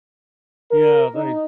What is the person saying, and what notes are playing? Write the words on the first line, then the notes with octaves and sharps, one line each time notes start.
Yeah, they
A#4
D#4